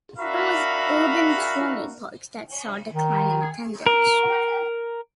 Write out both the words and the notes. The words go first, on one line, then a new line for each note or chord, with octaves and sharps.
It was urban trolley parks that saw declining attendance.
D4 F#4 A#4 E5 F5 B5
D#3
A#4